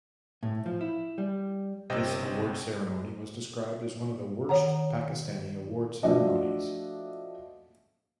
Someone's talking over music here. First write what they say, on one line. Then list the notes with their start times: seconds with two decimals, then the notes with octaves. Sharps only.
This award ceremony was described as one of the worst Pakistani award ceremonies.
0.43 A2
0.66 F3
0.81 E4
1.18 G3
1.90 G1 C3 C4 D#5 G5
4.49 D#3 C#5 F#5 A#5
6.03 F3 A3 D4 F#4 D#5 E5